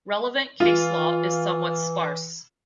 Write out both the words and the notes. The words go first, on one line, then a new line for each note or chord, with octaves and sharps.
Relevant case law is somewhat sparse.
E3 F4